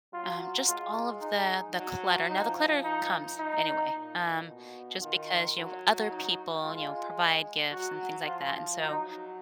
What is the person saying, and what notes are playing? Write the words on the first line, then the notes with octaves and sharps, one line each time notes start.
um just all of the the clutter, now the clutter comes anyway, um, just because, you know, other people, you know, provide gifts and things like that, and so,
F#3 F4
G#3 F4
D#4
F#3
F3 D#4
D#4
D#4
A#2
B2
D#3 F4
F#3
D#4
G#3 F4
F#3 F#4
F3 F4
F#3 D#4